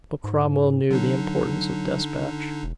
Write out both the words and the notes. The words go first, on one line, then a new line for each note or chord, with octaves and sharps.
But Cromwell knew the importance of despatch.
G#2
D3 F#3 D4 D#4
E1